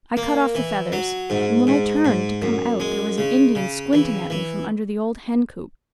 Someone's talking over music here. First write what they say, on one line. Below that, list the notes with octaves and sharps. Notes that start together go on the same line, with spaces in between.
I cut off the feathers, and when I turned to come out there was an Indian squinting at me from under the old hen-coop.
A#3
E3
F#3
G#2
G#2
G#2
F#2
G#3
C#3
C#3
E3
E3